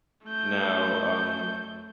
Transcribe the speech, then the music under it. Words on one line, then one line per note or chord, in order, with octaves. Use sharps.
Now, um,
A3 G6